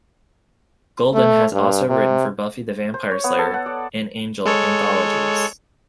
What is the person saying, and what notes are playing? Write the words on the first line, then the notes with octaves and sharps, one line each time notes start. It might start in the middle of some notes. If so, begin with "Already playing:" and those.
Golden has also written for "Buffy the Vampire Slayer" and "Angel" anthologies.
A3
G2
C3
C5
C#5
B3
A4
F#5
D5
G#3 A4 C#5